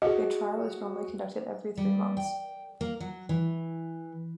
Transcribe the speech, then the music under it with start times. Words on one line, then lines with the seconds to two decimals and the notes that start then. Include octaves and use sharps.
A trial was normally conducted every three months.
0.02 F#4 G#4 D#5
1.77 G3
2.17 G5
2.81 A#3
3.00 F#3
3.29 E3